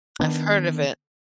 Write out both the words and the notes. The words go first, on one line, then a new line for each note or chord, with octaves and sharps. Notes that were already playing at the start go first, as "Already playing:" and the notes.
I've heard of it.
D#3 F#3 B3 D4